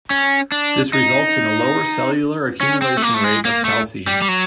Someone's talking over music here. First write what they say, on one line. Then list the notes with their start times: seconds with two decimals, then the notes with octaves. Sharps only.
This results in a lower cellular accumulation rate of calcein.
0.10 C#4
0.52 D4
0.93 D#4
2.61 C#4
2.82 C4
2.97 A3
3.02 A#3
3.14 A3
3.24 G#3
3.45 A#3
3.65 A3
4.07 G3
4.22 G3
4.28 F#3